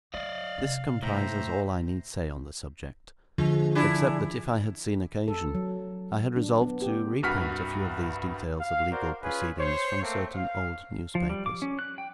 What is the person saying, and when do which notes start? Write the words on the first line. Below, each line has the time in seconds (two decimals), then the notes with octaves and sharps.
This comprises all I need say on the subject; except that if I had seen occasion, I had resolved to reprint a few of these details of legal proceedings, from certain old newspapers.
0.14 F#3 D5 D#5 F5
0.58 C3
1.03 A2 C5 E5 A#5
3.38 D3 F3 G#3
3.75 D4 E4 G#4
5.28 A4
5.55 F#3
6.36 D4
6.62 B3
6.82 G4
7.23 C2 G2 F#4 F6 B6
8.60 F5
8.92 F#4 A#4 C5 D5
9.22 C#4 F4 G#4 B4
9.59 C5 C#5
10.02 A3 A#3 C4
10.34 F5
11.15 F3
11.30 G3
11.46 D6
11.62 C#4
11.79 F#6
11.98 G5